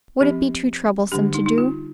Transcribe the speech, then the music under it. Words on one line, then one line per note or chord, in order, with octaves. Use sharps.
Would it be too troublesome to do?'
F3 C4 G4
D3 G3 D4 G4
D#4
D#4
F4